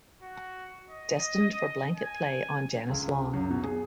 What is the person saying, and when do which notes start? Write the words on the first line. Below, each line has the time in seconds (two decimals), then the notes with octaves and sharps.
Destined for blanket play on Janice Long.
0.22 F#4
0.90 D#5
1.96 G#5
2.90 C#2
3.33 F#2
3.50 B2
3.64 G#4